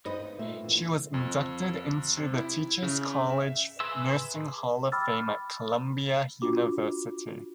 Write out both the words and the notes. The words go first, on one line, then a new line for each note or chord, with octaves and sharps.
She was inducted into the Teacher's College Nursing Hall of Fame at Columbia University.
G2 D#4 B4 C5 D#5
A#2 A3 E5
E3 F4
F2
C3
E4
C#3
E5
G#4 B4 E5 C6 E6
G5 B5 D6 E6 F6 A6
D4 F4 F#4 D6